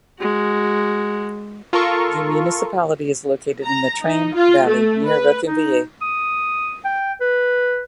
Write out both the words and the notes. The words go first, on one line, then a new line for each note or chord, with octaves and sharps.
The municipality is located in the Trame valley near Reconvilier.
G#3 F#4
F4 A4 A#4 C#6
A#5
D#4
F4
A3
B4
D#4
D#6
G5
B4